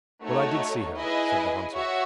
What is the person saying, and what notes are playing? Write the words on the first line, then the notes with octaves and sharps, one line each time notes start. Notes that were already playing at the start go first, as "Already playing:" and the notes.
"Well, I did see her," said the hunter.
A3 D#4 F#4 A4 C#5
E4 G#4 B4 D#5 G#5
F#4 C#5 E5